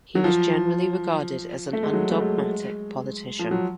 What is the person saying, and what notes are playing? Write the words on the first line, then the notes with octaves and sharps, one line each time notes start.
He was generally regarded as an undogmatic politician.
F#3
F3
A3
G#3
F#3
A3
G#3
F3
F#3